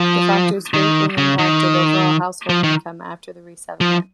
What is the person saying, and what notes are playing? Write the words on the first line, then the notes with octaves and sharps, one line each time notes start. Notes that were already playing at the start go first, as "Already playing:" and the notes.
The factors greatly impacted overall household income after resettlement.
Already playing: F3
D#3
C#3
D#3
F3
D#3
F3